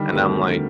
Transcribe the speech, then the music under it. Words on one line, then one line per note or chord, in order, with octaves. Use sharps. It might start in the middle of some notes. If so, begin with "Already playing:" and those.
And I'm like,
Already playing: D3 D#3 G3
A3 C4 F#4 A#4
D3